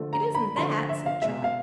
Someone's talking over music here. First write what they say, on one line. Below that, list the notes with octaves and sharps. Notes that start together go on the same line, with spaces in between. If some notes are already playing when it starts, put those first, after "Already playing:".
"It isn't that," said Trot.
Already playing: D3 F3 A3
A#5
B5
D3 F3 A3 C6
E5
F5
B2 G#3 E5
F5